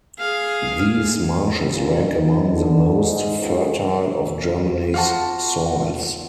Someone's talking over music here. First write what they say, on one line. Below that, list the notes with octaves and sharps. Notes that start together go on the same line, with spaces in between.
These marshes rank among the most fertile of Germany's soils.
G#4 F5
A#2
D#4
D3
G#2
C#2
F4 F#4 A5